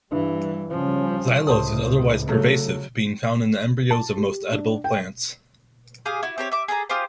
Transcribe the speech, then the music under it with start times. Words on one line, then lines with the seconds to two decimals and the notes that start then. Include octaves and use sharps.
Xylose is otherwise pervasive, being found in the embryos of most edible plants.
0.12 G2 E3 G3
0.70 C#3 F3 G3 C#4
1.47 C#2 A2 C3 C5 A5 D#6
2.29 C#3 F#3 A3
3.91 A5
4.17 G4
4.52 D4
4.84 G5
6.05 G4 G#4 F5
6.23 E4 F#4
6.38 C4 G4 C#5
6.52 E5 D6
6.68 G#4 A4 E5 A#5
6.89 F4 G4 G#4 C5